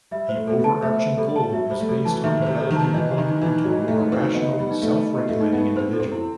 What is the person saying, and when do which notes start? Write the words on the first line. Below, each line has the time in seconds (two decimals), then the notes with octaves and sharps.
The overarching goal was based on developing one into a more rational, self-regulated individual.
0.11 G3 E5
0.29 C5
0.36 A3
0.47 A3 A4
0.59 B3
0.64 A5
0.82 A3 E5
0.99 C5
1.17 G3 A4
1.36 A5
1.52 F#3 E5
1.71 G3 C5
1.81 A3
1.88 G3 A4
2.05 E3 A5
2.24 D#3 E5
2.42 C3 C5
2.58 A4
2.71 D#3
2.76 A5
2.93 E3 D#5
3.11 G4
3.18 D#3
3.29 D#4
3.42 E3 D#4
3.64 F#3 D#5
3.82 G4
3.88 A3
4.00 D#4
4.12 C4
4.18 D#4
4.34 B3 D#5
4.53 G4
4.59 G3
4.71 D#4
4.82 A3
4.88 D#4
5.06 D#5
5.24 G4
5.29 A3
5.41 D#4
5.53 B3
5.58 D#4
5.76 C4 C5
5.93 A4
6.00 C4
6.12 E4